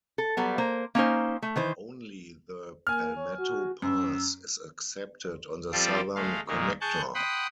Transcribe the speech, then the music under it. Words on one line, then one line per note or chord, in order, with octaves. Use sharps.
Only the Palmetto Pass is accepted on the Southern Connector.
A4
F#3 G3 B3
A#3 C5
A#3 C#4 D#4 C5
A3
D#3 E3 C5
A#3 G#5 F6
C#5
F#4
F#2 E6
F3 G3 C4 F4 A4 D5
G#3 A3 F5
A#2 D#3 G#3 A#3
G#4 A5 C#6 F#6 G6
F#5 G5 B5 C6 D#6